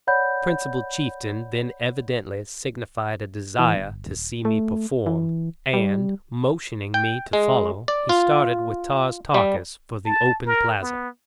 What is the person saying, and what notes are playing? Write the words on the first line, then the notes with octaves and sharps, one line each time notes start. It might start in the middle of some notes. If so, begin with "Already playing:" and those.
The principal chieftain then evidently signified a desire to see me perform, and, motioning me to follow, he started with Tars Tarkas for the open plaza.
C#5 D5 F#5 B5 G6
E3
G1
D#1
A3
E3
G3
G5
G#3
D5
F4
G3
A5
A#4
B3